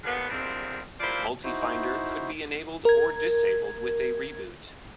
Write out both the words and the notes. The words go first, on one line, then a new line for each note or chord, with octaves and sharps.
MultiFinder could be enabled or disabled, with a reboot.
D#2 A2 D3 B3
E2 G2 A#2 G#3 C4
C3 F3 A#3 E4 C5 D5
D#4 E4 F#4 C5
A#4 G#6